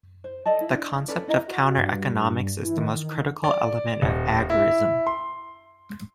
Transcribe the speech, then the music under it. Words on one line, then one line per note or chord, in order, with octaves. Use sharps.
The concept of counter-economics is the most critical element of agorism.
C5
A4 D5 D#5 A5
E4
D4
C#4 A4 B4 D5
C#4 E4 D#5 A#5
F#4
G2
E3
D#3
D5
D#1
E4
C6